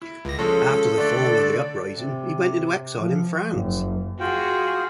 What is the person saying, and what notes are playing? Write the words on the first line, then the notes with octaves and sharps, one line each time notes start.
After the fall of the uprising he went into exile in France.
E4
C#2 A#6
F3 G#3 C#4 A4
D3 A3 D5
C3
F3
F#1
F4 F#4 G#4 G5